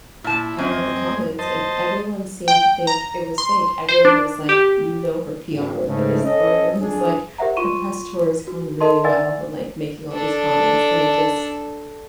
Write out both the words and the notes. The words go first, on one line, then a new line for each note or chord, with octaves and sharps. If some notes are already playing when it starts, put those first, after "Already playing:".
I read the comments and everyone seemed to think it was fake. Everyone was, like, "You know her PR wrote this." Or, everyone was, like, "Her press tour is going really well," and, like, making all these comments, and it just
A#2 E4 A5
F#2 C4 D#5 G#5
C5 D#5 A5
G5
A#5
C6
C5
D4
G4
G#1 D2
G#2 C#3 A3
C#4 A4 D#5
F2 D4 G#4
G4 A#4 C5 E5 F#5 A#5
F4 C6 C#6 D#7 E7
F#4
A4 A#4 D#5 A5 C6
D5 E5 F#5 G#5 E6 A6
D4 A4